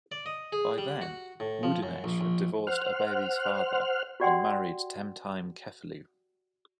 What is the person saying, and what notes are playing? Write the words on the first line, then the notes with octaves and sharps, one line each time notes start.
By then, Wudinesh had divorced Abebe's father and married Temtime Kefelew.
D5
D#5
G#4
G3
F#4
A2
F3
F#2
A#1
A#1
C5 F#5 F6
F#4 G4 D5 F#5 G5 C6